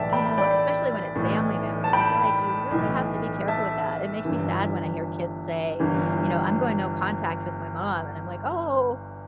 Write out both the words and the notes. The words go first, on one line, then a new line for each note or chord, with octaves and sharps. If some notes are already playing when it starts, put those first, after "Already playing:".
you know, especially when it's family members, I feel like you really have to be careful with that. It makes me sad when I hear kids say, you know, "I'm going no contact with my mom," and I'm like, "Oh,
Already playing: B1 A2 E3 D5 E5 G5 A5
G5 B5
D5 G5
B1 A2 E3
A5
G5 B5
B1 A2 E3
E5 A5
G1 G2 E3
G1 G2 E3